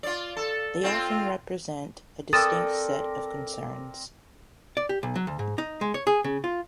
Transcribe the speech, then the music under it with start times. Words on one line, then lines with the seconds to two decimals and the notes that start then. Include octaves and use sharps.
They often represent a distinct set of concerns.
0.03 F4 D5
0.37 A4
0.83 C4 F4
2.33 C4 A4 A#4 D5 D#6 E6 A6
4.77 D5
4.89 G4
5.03 B1
5.15 F#3
5.27 D2
5.39 G#2
5.58 D#4
5.81 G#3
5.94 C#5
6.07 G#4
6.24 C#3
6.44 F4